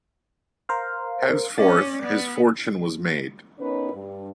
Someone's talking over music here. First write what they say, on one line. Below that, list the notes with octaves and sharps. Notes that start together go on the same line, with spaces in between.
Henceforth, his fortune was made.
A#4 C5 F5
C#4 D5 A6
B3
B3 C#4 D#4 A#4 B4 C#5
G2